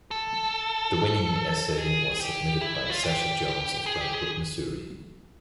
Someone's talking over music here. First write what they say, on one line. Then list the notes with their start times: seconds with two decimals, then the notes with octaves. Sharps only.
The winning essay was submitted by Sasha Jones of Brentwood, Missouri.
0.11 A4
1.78 G#4
2.20 G4
2.61 E4
2.75 E4
2.90 F4
3.03 G4
3.86 G#4
4.01 G4
4.14 G#4